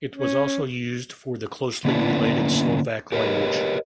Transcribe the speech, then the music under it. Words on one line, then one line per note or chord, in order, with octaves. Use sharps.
It was also used for the closely related Slovak language.
C#4
D3 A#3 B3 C#4 D4 E4
G4 A#4 B4 C#5 D#5